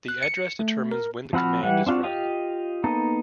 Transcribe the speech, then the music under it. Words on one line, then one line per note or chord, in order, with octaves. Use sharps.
The address determines when the command is run.
F#6
C#7
A3
A#4
F3 C4 F#4 B5 F6
E3 G3 F#5
C4 D4 F4 F#4
F4 G4 D#5 F5
A#3 B3 D#4 A4